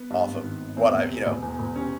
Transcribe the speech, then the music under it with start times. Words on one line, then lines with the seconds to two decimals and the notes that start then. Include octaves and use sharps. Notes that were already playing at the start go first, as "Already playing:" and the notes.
Off of what I you know,
Already playing: B3
0.10 G2
0.27 G#1
0.44 D#3
0.60 G#1
0.77 E2 C4
0.93 E1
1.10 C3
1.26 E1
1.43 E2
1.59 E1
1.76 C3 C#4